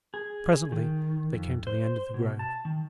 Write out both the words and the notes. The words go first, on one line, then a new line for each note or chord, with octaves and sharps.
Presently they came to the end of the grove.
G#4
D#3
F2
C5
B2
A5
D#3